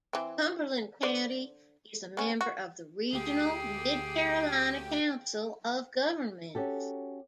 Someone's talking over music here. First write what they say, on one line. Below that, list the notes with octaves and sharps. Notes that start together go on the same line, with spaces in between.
Cumberland County is a member of the regional Mid-Carolina Council of Governments.
E3 C4
D3 C5 D5
B3 C#4
F#4
D2 G4 G#4 G5
C#4 F#4 G4 A4